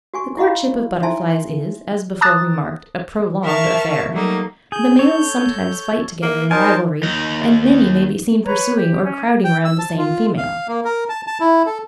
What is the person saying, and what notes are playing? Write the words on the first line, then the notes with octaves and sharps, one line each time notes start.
The courtship of butterflies is, as before remarked, a prolonged affair. The males sometimes fight together in rivalry; and many may be seen pursuing or crowding round the same female.
F#4 G#5 C#6
E4 F#4 D#5 F5 B5
D#4 E4 E5 G#5 A5 C6
A5 A#5 D6 D#6 F#6 A6
A#4 E5 F5 A5 C#6
F#3 G3 A3 A#3 D#4
G#4 G6
A4 C#5
A#3
D#4 A#4 C5 G#5 A5
D#2 D#4
B4 C#5 A#5
G4
C#4
G5
E6
A5
F4
F5
A#3
A#4
A5
A5
E4
A4